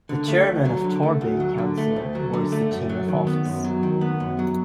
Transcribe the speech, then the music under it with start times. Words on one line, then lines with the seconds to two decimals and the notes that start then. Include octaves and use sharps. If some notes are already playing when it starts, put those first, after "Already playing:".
The Chairman of Torbay Council wears the chain of office.
0.09 D3
0.28 A3
0.47 D2
0.65 F#3
0.84 D3
1.03 A3
1.21 D2
1.40 F#3
1.58 D3
1.78 A3
1.96 D2
2.15 F#3
2.33 D3
2.52 A3
2.71 F#2
2.89 F#3
3.08 D#3
3.27 B3
3.45 F#2
3.64 F#3
3.83 D#3
4.01 B3
4.20 F#2
4.39 F#3